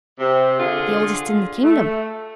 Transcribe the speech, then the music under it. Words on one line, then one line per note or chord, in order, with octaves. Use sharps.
"The oldest in the kingdom."
C3
D3 F4 G#4
A3